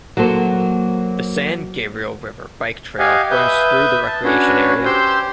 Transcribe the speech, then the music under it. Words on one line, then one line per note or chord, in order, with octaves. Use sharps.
The San Gabriel River Bike Trail runs through the recreation area.
F#3 A#3 A4 C5
G4 D#5 F5 F#5 G#5
B4 E5 D#6 G6
A5
C#4 D4 F#4 B4 C#5
G4 C5 C6 E6 G6